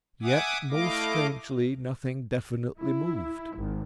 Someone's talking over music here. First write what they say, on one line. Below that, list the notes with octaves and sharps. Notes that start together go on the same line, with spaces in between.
Yet, most strangely, nothing definitely moved.
E5 F#5 G#5 D6 D#6
A3 E4 D#5 F5 D6
E4
G#1